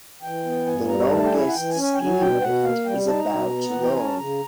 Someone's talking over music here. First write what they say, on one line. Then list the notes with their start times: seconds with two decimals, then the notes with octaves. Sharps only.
The longest ski lift is about long.
0.22 E3 G5
0.45 B3
0.67 G2 G#5
0.88 G3 A#5
1.10 A3 A5
1.24 G5
1.32 E4 G#5
1.48 F#5
1.54 E3 G5
1.70 G#5
1.76 C#4
1.83 G#5
1.94 G5
1.98 F#3 G#5
2.20 B2 G5
2.41 B2 F#5
2.63 A#3 F5
2.86 G3 G5
3.08 D#4 A5
3.19 A#5
3.30 B2
3.52 B3
3.70 E3 F#5
3.82 G5
3.94 C#4 G#5
4.05 A5
4.18 C#3 A#5